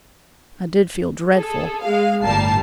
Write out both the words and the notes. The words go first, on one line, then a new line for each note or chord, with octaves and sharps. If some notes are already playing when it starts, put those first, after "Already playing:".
I did feel dreadful.
G#4 A4
G#3 F5
G1 A2 G3 A#4 A5 C7